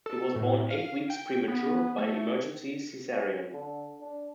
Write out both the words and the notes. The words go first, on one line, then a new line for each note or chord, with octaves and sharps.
He was born eight weeks premature by emergency Caesarean.
A4
A2
F5
G5
B3
A3
D3
D4